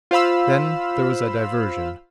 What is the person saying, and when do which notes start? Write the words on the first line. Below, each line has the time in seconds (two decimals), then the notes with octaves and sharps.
Then there was a diversion.
0.11 F4 C5 F5 B5 E6